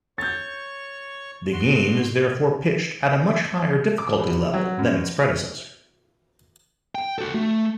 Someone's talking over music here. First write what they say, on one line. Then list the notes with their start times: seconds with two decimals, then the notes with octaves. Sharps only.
The game is therefore pitched at a much higher difficulty level than its predecessor.
0.18 C#5 C#6 G6 A6
1.53 F#4 C6
3.98 D6
4.19 E2
4.54 F#3
4.79 F#2
6.95 G5
7.19 F#4 A4
7.34 A3